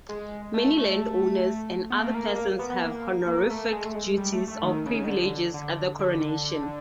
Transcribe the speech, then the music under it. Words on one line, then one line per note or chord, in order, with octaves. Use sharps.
Many landowners and other persons have honorific "duties" or privileges at the coronation.
G#3
A3
A3
B3
A#3
A3
A#3
A#3
B3
B3
A#3
A#3
A3
G#3
A3
G#3
G3
A3
A3
D#3
C#3
D#3
D3
D3
D3